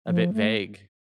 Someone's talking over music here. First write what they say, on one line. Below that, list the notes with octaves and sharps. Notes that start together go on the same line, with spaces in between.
a bit vague,
F3
A3